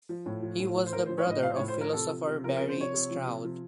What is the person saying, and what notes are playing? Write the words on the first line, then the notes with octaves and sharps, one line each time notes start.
He was the brother of philosopher Barry Stroud.
F3
A2
F3
A2
F3
C5
A2 A#4
C5
F3
C#5
A2 D#5
F3 F5
C5
C#5
A2
C5
F3
A#4
C3 A4
F3
C3
F3 A#4
A#4
C3
C5
F3 C#5
C3
F3
C3
F3